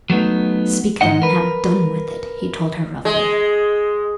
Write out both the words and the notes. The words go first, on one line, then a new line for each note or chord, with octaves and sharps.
"Speak them and have done with it," he told her roughly.
F#3 A3 B3 D#4
G#2 D#4 D#5 F#5
A#4 B4
G#3